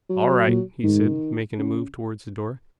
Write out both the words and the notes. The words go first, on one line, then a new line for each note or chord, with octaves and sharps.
"All right," he said, making a move towards the door.
F#3
A#2
G#2 D#3
C#3